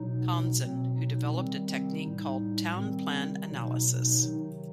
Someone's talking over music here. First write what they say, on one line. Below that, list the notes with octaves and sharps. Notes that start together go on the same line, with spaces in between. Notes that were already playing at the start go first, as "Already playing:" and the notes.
Conzen, who developed a technique called 'town-plan analysis.
Already playing: B2 F#3 D#4
B2 F#3 C4
D#4
C3 D#3 G3 C4
C4
A2 G3 D#4
C3 D#3 G3 C4
B2 F#3 D#4
D#4
C3 D#3 F#3